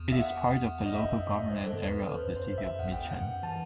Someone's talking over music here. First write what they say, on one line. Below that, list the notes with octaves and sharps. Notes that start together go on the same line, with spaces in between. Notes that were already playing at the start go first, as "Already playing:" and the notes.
It is part of the local government area of the City of Mitcham.
Already playing: E2
E5
F#5
F#2 D#5
E5
D#5
E5
D#5
E5
D#5
F#2
G2 C5
A4
E2 B4
A4
C5
F#2 B4
C5
F#2
E5
E2 F#5
G5
E2
F#5
F#2
E3 A5